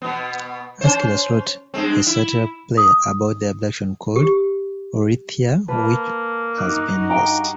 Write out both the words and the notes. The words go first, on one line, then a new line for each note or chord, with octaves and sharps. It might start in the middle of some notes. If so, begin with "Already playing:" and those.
Aeschylus wrote a satyr play about the abduction called "Orithyia" which has been lost.
B2 B3
C#4 C5
G2 G#3 C4
E4
D#6
G4
A#3 B4 A5
G2 D#4 F#4 D6 D#6 F#6
F5 G5 A#5